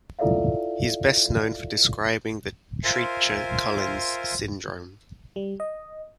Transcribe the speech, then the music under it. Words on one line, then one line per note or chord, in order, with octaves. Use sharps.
He is best known for describing the Treacher Collins syndrome.
E4 F4 A4 D5 E5 F5
F4 A#4 C5 E5 G#5
G3
D#5